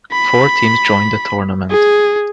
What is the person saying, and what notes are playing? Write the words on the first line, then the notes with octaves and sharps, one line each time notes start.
Four teams joined the tournament.
B5
G#4